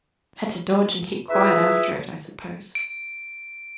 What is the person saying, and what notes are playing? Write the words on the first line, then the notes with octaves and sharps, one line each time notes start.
Had to dodge and keep quiet after it, I suppose.'
E4 F4 G#4 B4 E5
D7